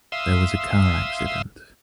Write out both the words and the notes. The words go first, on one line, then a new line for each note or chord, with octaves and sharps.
There was a car accident.
E5 F5 C6 D#6 E6